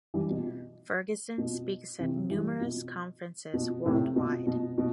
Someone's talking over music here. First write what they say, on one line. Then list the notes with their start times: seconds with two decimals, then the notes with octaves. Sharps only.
Ferguson speaks at numerous conferences worldwide.
0.14 E3 G3
0.30 B2
1.38 B2
1.99 C3 E3
2.30 E3 G3
2.61 B2
3.54 B2
3.86 A2 C3
4.16 B2
4.47 B2
4.78 B2